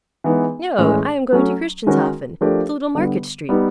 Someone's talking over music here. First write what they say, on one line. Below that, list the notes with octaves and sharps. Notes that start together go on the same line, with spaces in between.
"No, I am going to Christianshafen, to Little Market Street."
E3 G#3 B3 D#4
A2 E3 G#3 C#4
F#3 A3 C#4
D#3 G#3 C#4 F#4 A#4
F3 A3 D4 G4 A#4
D3 G3 B3
G3 B3 D#4 G4